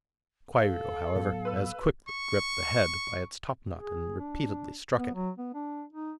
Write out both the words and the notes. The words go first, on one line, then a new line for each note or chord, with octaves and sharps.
Kwairyo, however, as quickly gripped the head by its topknot, and repeatedly struck it.
A4 F5
A2 F#3 B3 F5
B4 E6
C#6
G#4
D4
B3
F#3
B3
D4
D#4